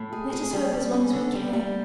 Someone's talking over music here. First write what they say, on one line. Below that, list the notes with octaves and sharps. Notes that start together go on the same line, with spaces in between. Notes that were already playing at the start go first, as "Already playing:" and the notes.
'Let us hope as long as we can.
Already playing: A2
G#4
G#4
G3
G3
C#4
D3
G3
G3